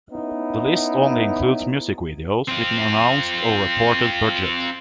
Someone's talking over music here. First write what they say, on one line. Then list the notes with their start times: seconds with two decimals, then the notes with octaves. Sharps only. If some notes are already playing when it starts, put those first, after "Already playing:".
This list only includes music videos with an announced or reported budget.
0.11 B3 C#4 D#4 E4
2.49 C4 F4